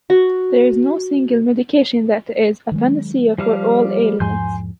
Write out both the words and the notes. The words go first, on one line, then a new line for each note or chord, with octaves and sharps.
There is no single Medication that is a Panacea for all ailments.
F#4
D#3 F#3 G#3
F3 G3 F5
E2 G#2 F3 G#5 C6 G6